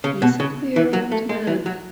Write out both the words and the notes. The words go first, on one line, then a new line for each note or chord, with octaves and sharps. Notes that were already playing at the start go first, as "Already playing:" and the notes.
He's a queer old man.
C#3
B2
C#3
E3
F#3
A3
G#3
E3
F#3